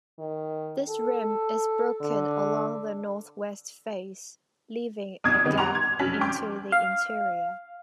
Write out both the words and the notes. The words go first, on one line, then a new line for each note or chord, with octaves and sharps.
This rim is broken along the northwest face, leaving a gap into the interior.
D#3
A4
D3
A#1 E2 D#4 D#6 G#6
F#2 C3 D#3 G3 B3 D#4
G3 F#5 A#5 C6 D6 F7
G#6
F1 F#3 C#4 A5 B6 F#7
F1 C#4 G5 C6 D6 G6
F5